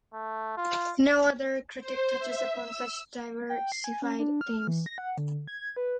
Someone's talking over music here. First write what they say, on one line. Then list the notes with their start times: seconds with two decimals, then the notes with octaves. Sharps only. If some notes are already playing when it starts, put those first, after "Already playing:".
No other critic touches upon such diversified themes.
0.13 A3
0.57 F4
1.80 C5
2.19 E5
2.56 E6
3.49 G5
3.72 C7
3.84 G#5
4.02 C#4
4.20 D4
4.41 F6
4.67 E3
4.86 A#6
4.98 F#5
5.18 D3
5.48 G#6
5.77 B4